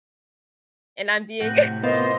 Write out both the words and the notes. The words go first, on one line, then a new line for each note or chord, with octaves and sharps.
and I'm being
A2 C3 F#4 G5
A#3 B3 F4 C5 D#5